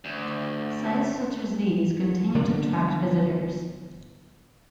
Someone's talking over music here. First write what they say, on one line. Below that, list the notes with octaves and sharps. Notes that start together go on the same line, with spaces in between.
Sites such as these continue to attract visitors.
D2
D3 G3 B3 D4